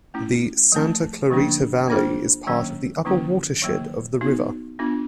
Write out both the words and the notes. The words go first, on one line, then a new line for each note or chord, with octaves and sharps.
The Santa Clarita Valley is part of the upper watershed of the river.
A3 C#4 E4
F3 A3 C4
D3 F3 A#3 D4
A#3 D4 F4 G#4 C5
D#3 F#3 A#3 C#4
D3 F3 A#3 C#4 E4
D#3 F#3 A#3
B3 D#4 F#4
B3 D4 F4